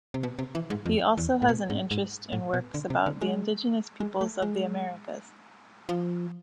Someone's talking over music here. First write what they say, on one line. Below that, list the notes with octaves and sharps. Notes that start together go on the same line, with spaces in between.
He also has an interest in works about the indigenous peoples of the Americas.
C3
B2
C3
E3
G#2
F2
E2
A2
B2
G#2
G#2
A2
B2
D3
C3
D3
G#3
G#3
A3
G#3
F3